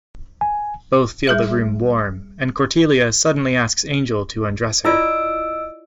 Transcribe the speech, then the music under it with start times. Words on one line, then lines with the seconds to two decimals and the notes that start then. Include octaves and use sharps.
Both feel the room warm, and Cordelia suddenly asks Angel to undress her.
0.41 G#5
1.27 G3 G#4 E5
4.85 E4 F4 D5 D#5 E6 D7